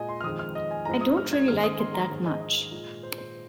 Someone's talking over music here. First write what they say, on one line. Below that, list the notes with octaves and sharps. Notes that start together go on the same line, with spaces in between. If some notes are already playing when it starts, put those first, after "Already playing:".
I don't really like it that much.
Already playing: A#2 G#3 D#5 G#5
C6
F6
F2 D#3 G#3 D#6
F6
D#5
G#5
G#2 F3 G#3 A#5
D#6
F6
G#6
G#2 D#3 G#3 F6
D#6
C6
A#5
G#2 D#3 G#3
D#5
D#5
A#2 G#3
C5
C5